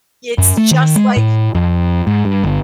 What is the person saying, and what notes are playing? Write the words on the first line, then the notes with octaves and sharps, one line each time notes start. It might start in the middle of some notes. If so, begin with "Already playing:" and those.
it's just like
F#2
A3
D#3
G#3
A2
F2
G#2
G2
G1